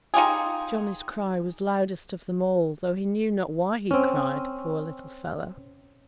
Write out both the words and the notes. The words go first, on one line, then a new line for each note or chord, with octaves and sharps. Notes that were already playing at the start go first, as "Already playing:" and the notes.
Johnny's cry was loudest of them all, though he knew not why he cried, poor little fellow.
D#4 F4 G4 G#4
C4 C#4